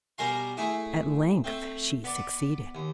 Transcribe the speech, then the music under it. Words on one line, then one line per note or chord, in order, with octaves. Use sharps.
At length she succeeded.
B2 G3 A#4 G#5 A#5 C6
A3 E4 G#4
A3 C4
B3 D5
D#2